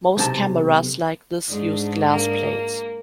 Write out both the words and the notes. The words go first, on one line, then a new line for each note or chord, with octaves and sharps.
Most cameras like this used glass plates.
B1 C3 A5
G#2 D4
A#3